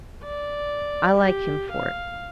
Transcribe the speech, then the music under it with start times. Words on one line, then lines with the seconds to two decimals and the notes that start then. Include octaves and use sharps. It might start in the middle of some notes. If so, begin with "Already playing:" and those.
I like him for it.'
0.24 D5
1.18 G4
1.72 F5